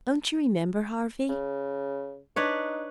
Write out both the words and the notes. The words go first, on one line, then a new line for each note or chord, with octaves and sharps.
Don't you remember, Harvey?
C#3
D4 D#4 B4 C#5